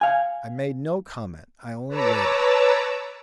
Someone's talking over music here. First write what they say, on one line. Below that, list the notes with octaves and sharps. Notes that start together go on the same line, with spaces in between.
I made no comment; I only waited.
F5 G#5
B4 C#5 A5 A#5 D6 E6